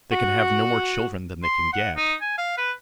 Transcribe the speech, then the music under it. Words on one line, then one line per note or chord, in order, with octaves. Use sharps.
They can have no more children than they can get.
F#4
C6
F#5
D#4
G#5
F5
B4